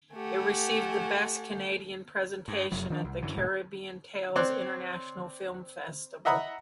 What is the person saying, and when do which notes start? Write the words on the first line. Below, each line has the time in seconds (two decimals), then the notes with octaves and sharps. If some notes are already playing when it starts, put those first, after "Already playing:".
It received the Best Canadian Presentation at the Caribbean Tales international Film Festival.
0.14 A3 G4 F#5 G#5
2.48 G2
2.72 F1 F#2 F#3
2.90 D#3 D4
3.04 C2
3.22 F#2 D3 E3 F#3
3.36 D#1 G#2 B2
4.36 C4 C#5 D5 C6 F#6
6.25 D#5 E5 F#5 A#5 B5 D#6